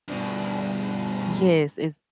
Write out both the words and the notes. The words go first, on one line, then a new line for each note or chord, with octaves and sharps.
Yes, it's
G2 B2